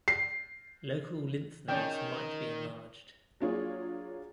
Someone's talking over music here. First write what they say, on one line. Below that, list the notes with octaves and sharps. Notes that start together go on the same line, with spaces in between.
Local lymph nodes might be enlarged.
C7
D#3 C#4 D5 G5
F#3 A#3 D4 F4 G#4 C#5